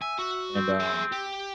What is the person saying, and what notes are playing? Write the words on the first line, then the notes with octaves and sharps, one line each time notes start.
And, um
E5 G#5
F#4
C4
G#4 E5
G4